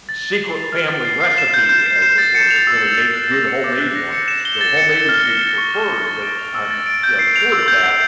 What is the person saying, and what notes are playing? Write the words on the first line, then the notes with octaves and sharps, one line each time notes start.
secret family recipe, as it were, to really make good homemade ones. So, homemade would be preferred, but on you know, short of that,
A6
A6
C7
F7
F6
A6
C7
C7
E7
G6
G6
C7
E7
A6
C#7
F7
E6
A6
C#7
F#6
A#6
C#7
D6
F#6
A#6
C#7
E7
G7
A6
C#7
E7
F6
A#6
C#7
C#6
F6
A#6
A6
D7
F7
E6
A6
D7
G6
C7
F7
E6
G6
C7